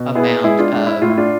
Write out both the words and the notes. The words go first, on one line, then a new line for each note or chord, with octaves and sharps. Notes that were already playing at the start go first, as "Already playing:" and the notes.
amount of
Already playing: B2
B3 E4 G#4
G#3 E4 G#4
D4 F4
G#3 D4
E4
A2 F4
E4
D4 F4